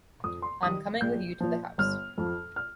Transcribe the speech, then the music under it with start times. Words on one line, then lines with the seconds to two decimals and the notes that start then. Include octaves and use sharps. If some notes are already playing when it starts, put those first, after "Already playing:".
I'm coming with you to the house.
0.24 F2 D#6
0.42 C6
0.62 D#3 G3 D#6
1.01 A#1 G6
1.40 A#2 F3
1.78 G1 F6
2.18 F2 F3
2.56 F6